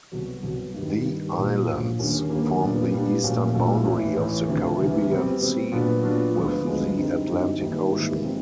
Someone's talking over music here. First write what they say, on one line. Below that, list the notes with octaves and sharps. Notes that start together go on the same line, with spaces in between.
The islands form the eastern boundary of the Caribbean Sea with the Atlantic Ocean.
C2 B2 F#3
C2 B2 F#3
G2 D#3 G3
G2 D#3 G3
A#1 A#2 F#3
A#1 A#2 F#3
D#2 D3 G3 A#3 C#4
D#2 D3 G3 A#3 C#4
A#2 G3 B3 D4
A#2 G3 B3 D4
A#1 A#2 F#3 A3 C#4
A#1 A#2 F#3 A3 C#4
A1 A2 E3
A1 A2 E3
D2 C3 E3
D2 C3 E3
B2 G3 C4
B2 G3 C4
A#2 F#3 B3 D4 F4
A#2 F#3 B3 D4 F4
D2 D3 F3 G#3 B3
D2 D3 F3 G#3 B3
F#2 D3 G3 C4 D#4
F#2 D3 G3 C4 D#4
G#1 G#2 E3 G3 A#3
G#1 G#2 E3 G3 A#3
F3 G#3 C4 D#4